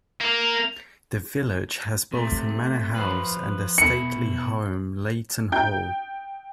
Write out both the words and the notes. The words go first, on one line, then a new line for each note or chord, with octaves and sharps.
The village has both a manor house and a stately home Leighton Hall.
A#3
C3 A3
F3 F4 B4
B2 E4 C#7
G5 G6